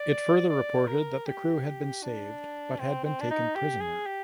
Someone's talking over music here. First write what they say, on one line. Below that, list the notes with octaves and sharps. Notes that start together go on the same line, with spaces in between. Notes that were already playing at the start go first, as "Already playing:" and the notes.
It further reported that the crew had been saved but had been taken prisoner.
Already playing: D5
D5
A#4
G4
D4
C4
C4
D4
D#4
G4
G#4
G4